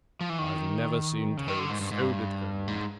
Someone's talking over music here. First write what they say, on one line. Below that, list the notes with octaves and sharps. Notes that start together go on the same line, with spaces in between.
'I've never seen Toad so determined.
F3
E3
D#3
C#3
D#3
D3
G#2
G2
G#2
G2
G#2